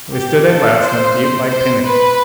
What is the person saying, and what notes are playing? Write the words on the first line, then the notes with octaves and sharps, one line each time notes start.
We stood at last on a buttelike pinnacle.
G4
A4
C5
C5
B4